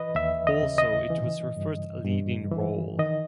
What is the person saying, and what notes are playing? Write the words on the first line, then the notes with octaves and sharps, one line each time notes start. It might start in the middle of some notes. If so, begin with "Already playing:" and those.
Also it was her first leading role.
Already playing: E3 B4 D#5
D#2 E5
D#5
C#3
D#5
E3
G2
G2
E3
D#3 D#5